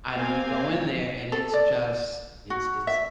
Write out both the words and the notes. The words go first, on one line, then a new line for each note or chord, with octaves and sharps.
I mean, you go in there and it's just it's it's,
A#3 C4 F5 G#5
A4
D5
F#4
E5